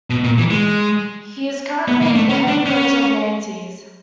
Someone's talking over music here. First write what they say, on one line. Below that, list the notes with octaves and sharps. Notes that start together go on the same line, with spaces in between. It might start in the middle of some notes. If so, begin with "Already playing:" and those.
He is currently the head coach of Nantes.
B2
A#2
E3
G#3
B3
A#3
A3
C#4
D4
C#4